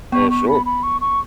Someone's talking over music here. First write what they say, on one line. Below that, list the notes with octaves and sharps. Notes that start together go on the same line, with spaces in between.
Oh, sure.
B3 C#6
C#6
B5
B5
C#6
C#6